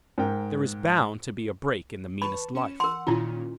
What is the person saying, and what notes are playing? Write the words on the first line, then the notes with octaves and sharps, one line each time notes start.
There is bound to be a break in the meanest life.
G#2 A#4 G5
B4 A5 B5 C#6
C#4 C#7 E7
A#4 F#5 C6
A#2 D#3 C#4 E4 F4